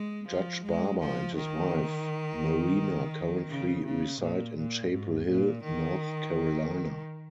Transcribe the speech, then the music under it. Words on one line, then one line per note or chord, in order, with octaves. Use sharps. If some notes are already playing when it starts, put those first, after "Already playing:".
Judge Barber and his wife Marina currently reside in Chapel Hill, North Carolina.
Already playing: G#3
F3
G#3
F3
D#3
C#3
C#3
A#2
A#2
G#2
A#2
D#3